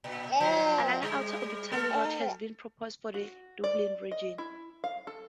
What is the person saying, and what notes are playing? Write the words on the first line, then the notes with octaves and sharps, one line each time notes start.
Another outer orbital road has been proposed for the Dublin region.
A#2
A#2 F3 C5
G3
A3 A4
F#4
D5
D#5
E4
F5
A4